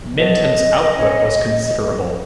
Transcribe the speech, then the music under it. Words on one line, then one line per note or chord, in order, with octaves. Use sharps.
Minton's output was considerable.
F#4 A4 C#5 D#5
C#4 G#4